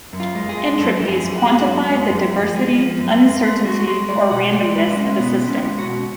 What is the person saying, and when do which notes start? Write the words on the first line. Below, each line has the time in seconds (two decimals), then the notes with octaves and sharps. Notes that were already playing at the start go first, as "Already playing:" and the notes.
Entropies quantify the diversity, uncertainty, or randomness of a system.
0.13 F#2
0.20 F4
0.35 G#3
0.49 G#4
0.57 G#3
0.78 F#2 A4
1.01 F3
1.08 G#4
1.23 F#2
1.38 F#4
1.45 G#3 G#4
1.52 F#4
1.67 F#2
1.88 G#3
2.10 F#2
2.34 F3
2.54 G#3
2.77 F3
2.98 F#2
3.21 G#3
3.43 G#3 G#4
3.64 G#3 F#4
3.80 F#4
3.87 G#3 G#4
4.09 G#3 D5
4.31 B2 F#5
4.53 G#3 D5
4.76 G#3 B4
4.90 D4
4.97 G#3 C#4
5.19 B2 B3
5.41 G#3
5.48 C#4
5.63 G#3
5.79 F#4
5.85 B2